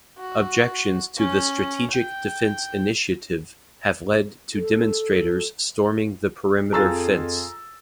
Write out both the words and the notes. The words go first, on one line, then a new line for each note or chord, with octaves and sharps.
Objections to the Strategic Defense Initiative have led to demonstrators storming the perimeter fence.
F#4
C#4
G5
A4
F2 F4 G#4 A4 A#5 E6 A6